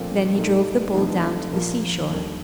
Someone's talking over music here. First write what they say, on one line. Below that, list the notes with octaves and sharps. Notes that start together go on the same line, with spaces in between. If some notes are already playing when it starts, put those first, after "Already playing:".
Then he drove the bull down to the seashore.
Already playing: A#1 A#2 A3 C4 F4
A#2 A3 D#4
D2 C3 F3 A3 D#4
A#1 A#2 F3 A#3 F4
D#2 D3 G3 A#3